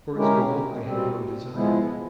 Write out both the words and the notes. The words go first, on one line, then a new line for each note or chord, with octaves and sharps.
For his gold I had no desire.
G#3 C#4 E4 G4 A#4
B2 G3 C4
F3 G#3 B3 E4